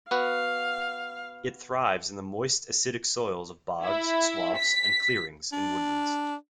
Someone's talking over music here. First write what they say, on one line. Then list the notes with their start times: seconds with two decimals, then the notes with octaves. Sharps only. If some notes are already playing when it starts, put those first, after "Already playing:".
It thrives in the moist, acidic soils of bogs, swamps, and clearings in woodlands.
0.11 B3 F#4 B4 F5
3.83 E4
4.56 B6
5.52 D4